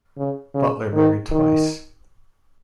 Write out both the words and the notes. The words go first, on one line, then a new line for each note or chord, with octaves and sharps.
Butler married twice.
C#3
C#3
D#3
D#3